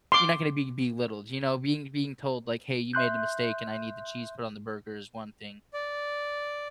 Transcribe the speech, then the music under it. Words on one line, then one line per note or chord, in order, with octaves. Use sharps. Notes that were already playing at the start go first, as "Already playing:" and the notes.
you're not gonna be belittled. You know? Being being told, like, "Hey. You made a mistake, and I need the cheese put on the burger," is one thing.
C6 D6
E5 C6 F#6 G6
D5